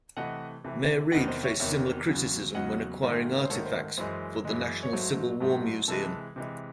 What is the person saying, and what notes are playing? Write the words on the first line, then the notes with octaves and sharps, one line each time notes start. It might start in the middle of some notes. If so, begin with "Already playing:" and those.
Mayor Reed faced similar criticism when acquiring artifacts for the National Civil War Museum.
C3 E3 A3 D#5 F#5
C3 E3 A3
E2 C3 D#3 D#5 F#5
C5 D#5
C#5 E5
E2 C3 D#3 C#5 E5
E2 C#3 F#3
E2 C#3 F#3 D#5 F#5
G#2 D#3 A3
C5
G#2 D#3 A3 A4 C#5
C5
F#2 E3 G#3 C5
F#2 E3 G#3
C#5
G#2 F#3 A3 C5
G#2 F#3 A3
C3 E3 G#3 A4
C3 E3 G#3